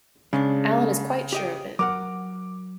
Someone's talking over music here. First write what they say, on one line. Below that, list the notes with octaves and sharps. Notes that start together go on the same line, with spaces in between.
Allan is quite sure of it.
C#3 G#3 C#4 D4
G4 D#5 G5
F#3 A#4 F#5 D6